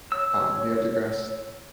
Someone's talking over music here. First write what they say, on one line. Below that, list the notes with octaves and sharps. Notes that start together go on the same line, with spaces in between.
um, Neil deGrasse
C#5 E6